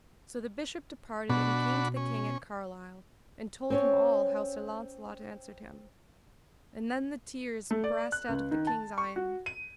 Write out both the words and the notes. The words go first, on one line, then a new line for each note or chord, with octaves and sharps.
So the Bishop departed and came to the king at Carlisle, and told him all how Sir Launcelot answered him; and then the tears brast out of the king's eyen.
B2 D4 F#4 B5
C#4
C4 C#4 C#5
A3
D5
F#6
C#2
D#3
A5
C#6
F#4
D#7